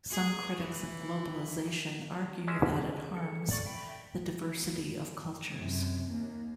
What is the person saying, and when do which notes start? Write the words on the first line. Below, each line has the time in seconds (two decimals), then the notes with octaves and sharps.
Some critics of globalization argue that it harms the diversity of cultures.
0.10 G#4
0.58 E3
2.47 G#3 C#4 E5
3.17 A4
3.51 D5 C#6
3.66 E5 G5 B5
5.55 F#2 C3
6.10 D#2 A#3